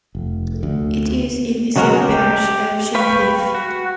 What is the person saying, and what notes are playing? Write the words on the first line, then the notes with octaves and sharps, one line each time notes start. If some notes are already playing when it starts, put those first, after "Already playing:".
It is in the civil parish of Shincliffe.
F1
D2
C#3 F#3 G#3 F#4 A#4
G4
B4 F5 G5 B5 C#6
F#4